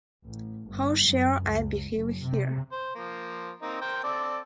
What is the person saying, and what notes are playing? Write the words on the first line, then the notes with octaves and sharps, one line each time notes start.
How shall I behave here?
A1
G1
F#2
C#2
F#1
C3
C5
F3 A#3
A#3 C4 D#4
A#4 C5 G5
C4 A4 D5